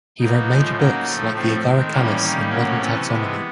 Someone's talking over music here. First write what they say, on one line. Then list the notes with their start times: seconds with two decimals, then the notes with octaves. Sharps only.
He wrote major books like "The Agaricales in Modern Taxonomy".
0.19 B2 F#3 A#3 D#4
0.48 A2 F3 G#3
0.77 C#3 F#3 A#3 D#4
1.06 A2 F3 A3
1.34 A2 F3 A3 C4
1.63 D#3 G#3
1.92 A2 E3 G3 A#3 C#4
2.21 D#3 G3 A#3
2.49 A2 F#3 A#3 C#4
2.78 C3 E3 A3
3.07 C3 E3 G#3 B3